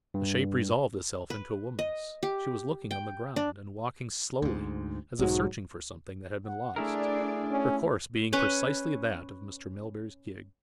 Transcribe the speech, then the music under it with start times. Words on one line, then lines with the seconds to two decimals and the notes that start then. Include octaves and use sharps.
The shape resolved itself into a woman's; she was looking on the ground, and walking slowly as if searching for something that had been lost, her course being precisely that of Mr. Melbury's gig.
0.14 G2
1.30 B4
1.79 D#5
2.23 G4
2.91 G5
3.36 D4
4.42 D2 G#2
5.19 B1 G#2 F#3 G#3
6.47 F#5
6.76 A3 D4 E4 G#4 A#4 D5
7.51 C#4
8.33 C#4 B4 C#5